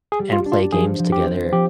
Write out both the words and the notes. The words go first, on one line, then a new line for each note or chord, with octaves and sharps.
and play games together,
G#4
G3
F4
D4
F4
F3 G#4
F3
G4
C4
F3 G4